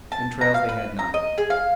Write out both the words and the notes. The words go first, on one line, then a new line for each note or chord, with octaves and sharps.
Entrails they had none.
A5
A#5
F5
B4
A#5
D#5
G#4
F5